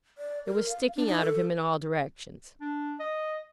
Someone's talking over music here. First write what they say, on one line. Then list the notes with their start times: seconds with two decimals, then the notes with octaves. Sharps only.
It was sticking out of him in all directions.
0.18 D5
0.46 A#4
0.69 F5
0.96 D4
1.08 D#4
1.20 A4
2.61 D4
3.00 D#5